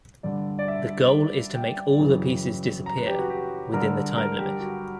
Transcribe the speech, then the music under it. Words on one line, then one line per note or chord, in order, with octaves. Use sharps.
The goal is to make all the pieces disappear within the time limit.
G2 D3 D5
D5
E5
G5
F#2 C#3 E3
A#5
B4
G4
F#4
G4
G2 D3 A#4
A#4
G4
F#4